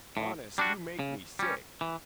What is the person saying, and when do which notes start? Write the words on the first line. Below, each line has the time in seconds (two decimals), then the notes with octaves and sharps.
"Honest, you make me sick!"
0.17 A2
0.58 G3 D4 F#4
0.99 C#3
1.39 G3 C#4
1.81 E3